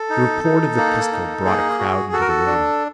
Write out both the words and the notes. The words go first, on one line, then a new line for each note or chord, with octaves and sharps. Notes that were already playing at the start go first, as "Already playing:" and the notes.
The report of the pistol brought a crowd into the room.
Already playing: A4
D#4
D#4
A#3
D#4
A#3 G#4
F#4
F#4 A4
A#4
A4
D4